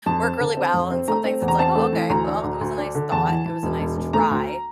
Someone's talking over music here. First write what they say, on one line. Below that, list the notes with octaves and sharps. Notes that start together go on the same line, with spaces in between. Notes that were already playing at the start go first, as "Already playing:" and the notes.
work really well, and some things it's like, "Oh, okay, well, it was a nice thought, it was a nice try,"
F2 A5
C4
D3
C4
F2
C4
A3 A#5
C4
E2
A#5
C4 A5
A3
E3
D2 A#5
D4
D2
D2
D4
D3
E2 A5
E3
E3
E1
E1
E1
A3 A#5
D2